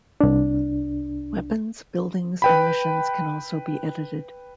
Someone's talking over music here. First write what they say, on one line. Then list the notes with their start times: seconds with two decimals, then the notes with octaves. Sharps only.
Weapons, buildings and missions can also be edited.
0.21 C2 D4
2.42 B4 G5 B5